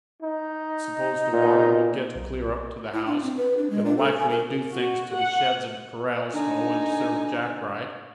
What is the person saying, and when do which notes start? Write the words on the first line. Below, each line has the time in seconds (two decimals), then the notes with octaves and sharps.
I don't suppose the water will get clear up to the house; it'll likely do things to the sheds and corrals, though, and serve Jack right.
0.22 D#4
1.33 A#2
2.16 B1
2.94 E4
3.06 D4
3.23 C4
3.37 B4
3.57 D4
3.70 G#3
3.85 D4
3.98 A4
4.18 G#5
4.30 A#4
4.72 F#4
5.16 F#5
6.33 D3 D#4 G#5